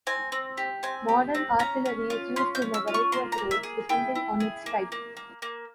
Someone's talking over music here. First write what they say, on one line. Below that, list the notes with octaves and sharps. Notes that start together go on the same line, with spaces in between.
Modern artillery is used in a variety of roles, depending on its type.
C4 G#5
C4
G4
C4 G#5
G4
C4
C#4 A#5
C#4
F4
C#4 C6
G6
C#4
E6
F4
C#6
A#3 C6
A#5
A#3
E5
G#4
E4 G5
E4
G#4
A#3
A#3
A#3
A#3